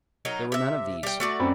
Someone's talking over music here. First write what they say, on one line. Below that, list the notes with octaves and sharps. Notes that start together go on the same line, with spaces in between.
There were none of these.
F#3 D#4 A#4
C3 E5
G3 G5
A3 F#4 D5
F#2 C4 B5